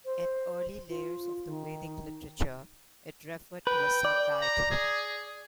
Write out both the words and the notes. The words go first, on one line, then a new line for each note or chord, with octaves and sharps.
In early layers of the Vedic literature, it referred to a sun deity.
C5
F4
D#3
B4 G5
D5
A#5
G#4